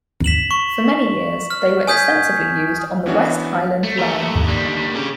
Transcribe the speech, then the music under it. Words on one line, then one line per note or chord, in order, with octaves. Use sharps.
For many years they were extensively used on the West Highland Line.
B6 E7 F#7
C#6
F6
G#5 D#6 G6 G#6 B6
E3 B3 C#4 D4 F#4 E5
A3
A#3 G4 A#4
D3 G3
C#4 G#4